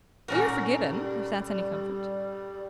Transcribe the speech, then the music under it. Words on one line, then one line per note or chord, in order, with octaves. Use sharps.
"Oh, you're forgiven--if that's any comfort."
G2 A#2 C#4 F#4 A4 A#4
G3